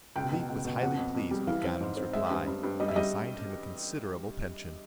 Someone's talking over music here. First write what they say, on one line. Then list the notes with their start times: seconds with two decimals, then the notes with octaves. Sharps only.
The caliph was highly pleased with Ganem's reply, and assigned him a considerable pension.
0.16 C#2 G5
0.32 B2
0.48 C#2
0.65 B2
0.82 F2 F#5
0.98 F2
1.15 F2
1.31 G3
1.47 E3 F5
1.64 C4
1.80 G#2
1.97 C4
2.13 G#3 E5
2.30 G2
2.47 G2
2.63 G2
2.80 G3 D#5
2.88 E5
2.96 G3 D#5